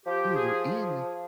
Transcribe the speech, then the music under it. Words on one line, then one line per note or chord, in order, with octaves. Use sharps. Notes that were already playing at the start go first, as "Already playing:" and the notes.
yo, you're in
F3 G4
G#4